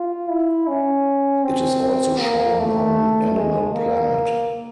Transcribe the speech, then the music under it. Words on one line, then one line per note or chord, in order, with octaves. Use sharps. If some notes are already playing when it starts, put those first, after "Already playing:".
It is also shown on Animal Planet.
Already playing: F4
E4
C#4
C4
A#3
A3
G#3
A#3